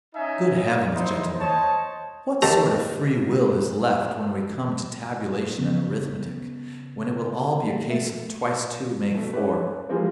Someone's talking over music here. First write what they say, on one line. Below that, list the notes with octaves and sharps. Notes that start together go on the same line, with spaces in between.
Good heavens, gentlemen, what sort of free will is left when we come to tabulation and arithmetic, when it will all be a case of twice two make four?
C#4 D#4 D#5 E5 G#5
D#4 E4 C5
C5 C#5 D#5 A5
D#2 A3 G4 A5 A#5
C#3 B3
A3 A#3
A3 E5
B2 A3
C#4 G4 B4
E3 F3 G3 G#3 A#3 C4